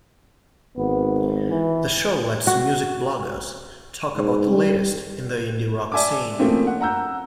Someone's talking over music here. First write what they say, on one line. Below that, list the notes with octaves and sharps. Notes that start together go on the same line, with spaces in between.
The show lets music bloggers talk about the latest in the indie-rock scene.
G#1 B3
E3
F#4
G#2
G3
D5 E5 G#5 A5 D6
F3 A3 A#3 C4 C#4
F#5
F#5 A#5 E6 G6